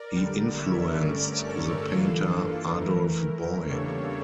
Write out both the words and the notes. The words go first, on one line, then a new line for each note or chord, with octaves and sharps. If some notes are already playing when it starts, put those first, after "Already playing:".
He influenced the painter Adolf Boy.
Already playing: A#4 D5
D3 G3 D4
C#5 E5
G2 D3 A3 C#4 A#4 D5
A4 C#5
G2 E3 A#3 D4 F4 A4
E3 A3 E4 A#4
A#4
E2 C#3 G3 A#3 D4 A4 C#5